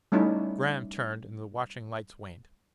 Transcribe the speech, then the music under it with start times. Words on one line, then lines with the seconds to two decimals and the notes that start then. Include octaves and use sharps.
Graham turned, and the watching lights waned.
0.12 G3 A3 C#4 D#4 E4